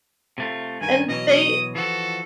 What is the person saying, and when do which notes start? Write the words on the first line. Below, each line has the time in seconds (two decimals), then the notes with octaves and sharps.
and they
0.38 C3 A3 F4
0.81 G2 D#3 G#5
1.09 B2 E3 F#3 D#5
1.29 D#6
1.75 E3 F3 F#4 A4